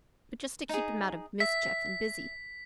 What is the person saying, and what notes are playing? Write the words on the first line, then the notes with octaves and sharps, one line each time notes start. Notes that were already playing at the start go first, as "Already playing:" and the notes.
But just to keep him out of mischief, and busy.
D#4 G#4
E5 B6